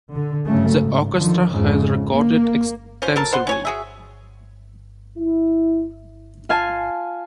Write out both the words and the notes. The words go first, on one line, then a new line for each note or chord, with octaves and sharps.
The orchestra has recorded extensively.
D3
G2 C#3 F#3 A3
G#2
D3 D#3 F3
F2 G#2 C#3
A#3
C#4 F4 C5
F#3 A4 A#4 A5
C5 F#5 C6
C#4 C#5 G#5
F#4 G#4 E5
E4
F4 F5 G#5 A5